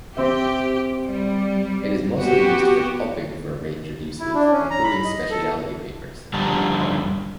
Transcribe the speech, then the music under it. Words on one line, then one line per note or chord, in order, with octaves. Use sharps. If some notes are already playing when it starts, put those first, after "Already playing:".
It is mostly used for pulping for a range of uses, including speciality papers.
C4 G4 E5
G3
B3 F#4 G4
E4
D4
C#4
A#5
B5
D#5
A4
F2 D3 G3 A5 A#5